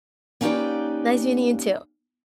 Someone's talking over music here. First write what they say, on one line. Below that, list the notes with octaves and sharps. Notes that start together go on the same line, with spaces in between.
Nice meeting you too.
A#3 C#4 D#4 G4 B4 D5